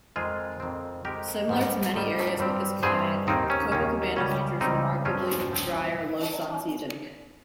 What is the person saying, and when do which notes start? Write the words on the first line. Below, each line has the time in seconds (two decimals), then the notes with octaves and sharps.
Similar to many areas with this climate, Copacabana features a markedly drier "low-sun" season.
0.16 F2 D#3 G#3 C4 F4 G#4
0.60 F2 D#3 G#3 C4
1.05 F2 D#3 G#3 C4 G4 A#4
1.49 G#2 D#3 G3
1.94 G#2 D#3 G3
2.39 G2 G3 C4
2.83 G2 G3 C4 G#4 C5
3.27 D#2 D#3 A#3 C4 D#4
3.50 C#4
3.72 D#2 D#3 A#3 C#4
4.16 C#2 C#3 G3 C#4
4.61 C#2 C#3 G3 C4 D#4
5.05 G2 F3 C4 C#4 F4
5.50 G2 F3 C4